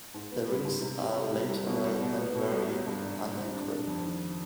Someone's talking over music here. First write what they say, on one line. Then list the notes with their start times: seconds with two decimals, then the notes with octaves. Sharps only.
The wings are lateral and very unequal.
0.14 G#2
0.31 B3
0.48 G3
0.65 G#2
0.81 C3
0.99 C3
1.16 C3
1.32 G3
1.49 C2
1.66 B2
1.84 C2
2.01 B2
2.18 B3
2.35 B2
2.52 C2
2.69 C2
2.86 G2
3.03 G#1
3.20 G#1
3.36 C4
3.54 D4
3.71 D4
3.88 F2
4.05 D#3